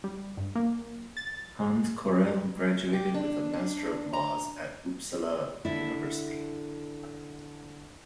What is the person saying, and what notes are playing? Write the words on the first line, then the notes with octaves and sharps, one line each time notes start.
Hans Corell graduated with a Master of Laws at Uppsala University.
G3
G2
A#3
A6
G4
D4
D4
A#5
D3 D4 E4